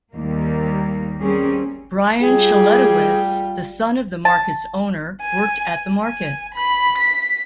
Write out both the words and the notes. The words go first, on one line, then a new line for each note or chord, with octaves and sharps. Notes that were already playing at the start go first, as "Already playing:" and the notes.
Bryon Schletewitz, the son of the market's owner, worked at the market.
D#2 G3 A#3
G3 A#3 C4 C#4 G#4
G3 F4 G#4 G5
A5
G#5
G#5
B5
B6